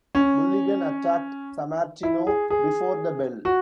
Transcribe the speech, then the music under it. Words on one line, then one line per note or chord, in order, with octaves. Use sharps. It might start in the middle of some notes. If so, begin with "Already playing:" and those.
Mulligan attacked Sammartino before the bell.
C#4
E4
G#4
G#4
F#4